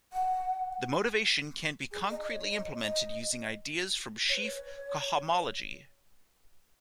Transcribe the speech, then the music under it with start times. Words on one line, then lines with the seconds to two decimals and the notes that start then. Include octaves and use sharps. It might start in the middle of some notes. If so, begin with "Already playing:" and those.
The motivation can be concretely implemented using ideas from sheaf cohomology.
0.13 F#5
1.91 G#4
2.11 D#5
2.23 D#5
2.31 C#5
2.50 D#5
2.80 D#5
4.29 C#5
4.36 B4
4.43 C#5